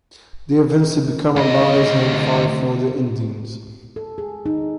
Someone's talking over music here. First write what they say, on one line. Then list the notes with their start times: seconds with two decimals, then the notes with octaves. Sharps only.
They eventually become allies and fight for the Indians.
1.36 D2 D#5
3.96 A4
4.18 G#4
4.46 D#4